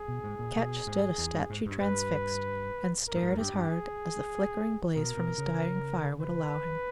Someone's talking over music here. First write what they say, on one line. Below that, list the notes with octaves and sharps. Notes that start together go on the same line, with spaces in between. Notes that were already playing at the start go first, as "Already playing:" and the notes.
Ketch stood a statue transfixed, and stared as hard as the flickering blaze from his dying fire would allow him.
Already playing: G#4
B2
G#2
A#2
B2
G#2
E2
G2
G#2
G2
G2 B4
A#4
G2
G#2
E2
G2 G4
G2
G#4
B2 A#4
B2
C#3
B4